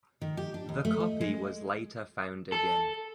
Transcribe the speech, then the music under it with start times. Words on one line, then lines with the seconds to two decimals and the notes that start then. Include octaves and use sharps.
The copy was later found again.
0.21 D#3
0.37 G4
0.54 D4
0.69 D#2
0.85 A3
1.00 D#5
1.21 G#3
2.52 A4